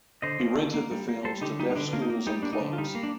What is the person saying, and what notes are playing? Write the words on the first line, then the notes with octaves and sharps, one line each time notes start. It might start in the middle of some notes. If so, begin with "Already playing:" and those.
He rented the films to deaf schools and clubs.
D3 C5 D#5
A#3
D3
A#3
G3
A#3
G3 A4 C5
D3 D#4 G4
G3 D#4
D#4
D3 D4
A#3 F4
D#4
A#3
G3 D#4 G4
A#3 D4
D#4
D3
F4
G3 D#4
A#3
D4